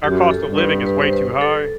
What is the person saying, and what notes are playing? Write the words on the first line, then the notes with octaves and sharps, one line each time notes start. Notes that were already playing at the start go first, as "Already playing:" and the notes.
our cost of living is way too high,
F#2 G4
A4
G2
B4
B4
C5
B4
A4